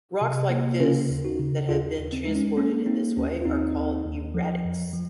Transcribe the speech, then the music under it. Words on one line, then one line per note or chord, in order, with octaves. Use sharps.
Rocks like this that have been transported in this way are called erratics.
C3
A#3
C#3 C#4 F4
D#2
D#4 F#4
C#3
D#2 F4 G#4
D#2
C4
G#3 D#4
C#4
A#3 C#4
A#3 C4 D#4
D#2 C#4
F4
D#2 C4 D#4
D#2
D#2
F3
F2
F3